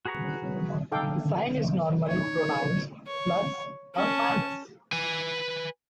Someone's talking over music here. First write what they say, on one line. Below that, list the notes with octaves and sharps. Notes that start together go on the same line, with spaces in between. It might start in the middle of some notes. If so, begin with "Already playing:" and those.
The sign is normally pronounced "plus or minus".
F#4 G#4 B4 A#5 C#6
D#4 A4 F5 G5 D6
D#4 C#5
C#5
C#4 A5
B4 G#5